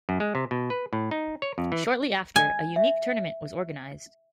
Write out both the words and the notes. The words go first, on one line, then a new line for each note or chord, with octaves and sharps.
Shortly after, a unique tournament was organized.
F#2
G#3
C3
B2
B4
A2
D#4
C#5
F2
E3
G#5
E5